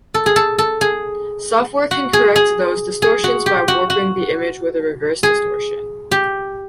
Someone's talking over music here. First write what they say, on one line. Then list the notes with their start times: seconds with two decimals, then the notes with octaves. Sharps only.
Software can correct those distortions by warping the image with a reverse distortion.
0.14 A4
0.26 G#4
0.36 A4
0.58 A4
0.81 G#4
1.91 F#4
2.13 G#4
2.36 G#4
3.02 G#4
3.24 F#4
3.46 G4
3.68 F#4
3.90 F#4
5.23 G#4
6.11 G4